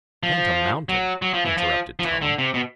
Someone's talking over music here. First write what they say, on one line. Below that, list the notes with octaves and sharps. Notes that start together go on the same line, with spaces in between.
"Phantom Mountain?" interrupted Tom.
F3
F#3
F#3
F3
E3
F3
F3
E3
D3
C3
B2